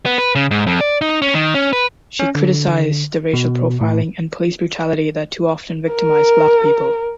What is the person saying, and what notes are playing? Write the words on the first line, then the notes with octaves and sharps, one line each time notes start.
She criticized the racial profiling and police brutality that too often victimize Black people.
B3
B4
C#3
G#2
F2
D5
D#4
C#4
D#3
C#4
B4
C#4
D3
B2
A2
A#4